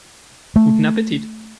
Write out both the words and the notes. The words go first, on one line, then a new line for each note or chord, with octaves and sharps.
Guten Appetit!
A3